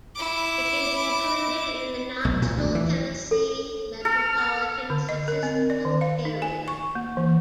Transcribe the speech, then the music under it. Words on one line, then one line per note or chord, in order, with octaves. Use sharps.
It is included in the Knoxville, Tennessee Metropolitan Statistical Area.
E4 D6
B1
A#2
D2
E3
A4
A4 F6
D3
D#5
A#4
C4
D5
D#3
F5
D#4
G#5
C#6
A#3
E3